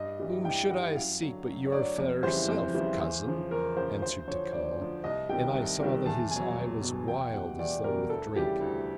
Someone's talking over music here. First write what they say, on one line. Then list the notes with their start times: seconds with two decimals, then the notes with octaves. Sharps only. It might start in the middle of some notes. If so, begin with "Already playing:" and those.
"Whom should I seek but your fair self, cousin?" answered Tikal--and I saw that his eye was wild, as though with drink.
Already playing: G2 D#5
0.20 E3 G3
0.45 G2 G5
0.70 E3 G3 F#5
0.96 F#2 F5
1.21 D3 F#3
1.47 F#2
1.67 C#5
1.72 D3 F#3 D5
1.98 F2
2.23 C#3 E3 G3 C5
2.48 F2
2.74 C#3 E3 G3
3.00 E2
3.25 C#3 F3
3.51 E2 A#4
3.77 C#3 F3 C5
4.02 D2 C5
4.27 D3 F3 C#5
4.53 D2 D5
4.78 D3 F3
5.04 C2 D#5
5.29 C3 D#3 G3 G5
5.55 C2
5.80 C3 D#3 G3
6.06 E2 A5
6.31 B2 F#3 G#5
6.57 E2
6.82 B2 F#3
7.08 E2 G5
7.33 B2 G3 F#5
7.59 E2 D5
7.84 B2 G3 A#4
8.10 D2 A4
8.35 C#3 E3 G3 G4
8.61 D2